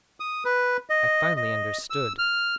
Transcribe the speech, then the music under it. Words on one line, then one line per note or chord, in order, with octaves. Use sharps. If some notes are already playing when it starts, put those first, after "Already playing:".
I finally understood!
D#6
B4
D#5
D#5
E6
F6